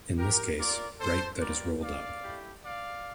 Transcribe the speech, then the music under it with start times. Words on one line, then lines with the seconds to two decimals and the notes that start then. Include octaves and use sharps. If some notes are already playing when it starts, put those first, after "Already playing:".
In this case, write that is "rolled up".
0.18 G4 A#4
0.59 C4 F4 A#4 D5
1.00 A4 C5
1.40 G3 A#3 F4 A#4 D5
1.82 D5 F5
2.23 A3 E4 G4
2.64 D5 F5